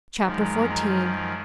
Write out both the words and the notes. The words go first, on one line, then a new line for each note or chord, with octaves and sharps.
Chapter XIV.
F#2 D#3 F3 G#3 A#5